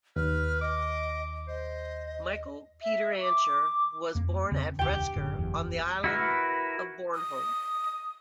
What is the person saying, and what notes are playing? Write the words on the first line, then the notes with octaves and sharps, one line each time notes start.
Michael Peter Ancher was born at Rutsker on the island of Bornholm.
D#2 B4 F6
D#5 D6
C5 D#5
E5
D6
F2 A#3
E2 C#3 C4
E1 D2 G4 G5
F#1 A2 D3
F#1 E2
E4 F#4 A#4 B4
D#6